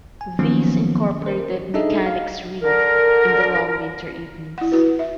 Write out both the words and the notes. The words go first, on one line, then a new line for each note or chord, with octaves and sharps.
These incorporated mechanics read, in the long winter evenings.
G#5
D#3 F3 F#3 A#3 B3 C#4
A#4 C5
D4 D#4 G#4 A4 D#5 E5
F5
D3 A#4
E4 F#5
E4 F#4 B4
E5